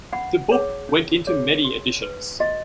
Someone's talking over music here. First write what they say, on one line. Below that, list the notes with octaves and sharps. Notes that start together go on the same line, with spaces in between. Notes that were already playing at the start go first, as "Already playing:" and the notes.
The book went into many editions.
C#4 F#5 B5
G#4 C#5
C#4
G#4 C#5
F#4
B4
F#4 D#5